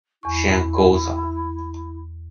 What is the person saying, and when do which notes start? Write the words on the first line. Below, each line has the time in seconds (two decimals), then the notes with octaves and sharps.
Chen Guozhan.
0.23 E2 E4 C#6